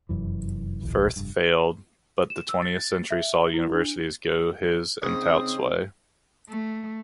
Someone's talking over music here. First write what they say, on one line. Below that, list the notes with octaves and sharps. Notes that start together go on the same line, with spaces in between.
Firth failed but the twentieth century saw universities go his and Tout's way.
F1 F#2 E3
D1 A#1 E3
F1 G2
E7
E6
A6
E5
E4
D4
C#2 G#2 C#3 C4 D#6
A3